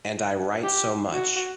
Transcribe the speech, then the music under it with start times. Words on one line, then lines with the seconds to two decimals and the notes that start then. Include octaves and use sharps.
And I write so much.
0.63 G4
1.12 F#4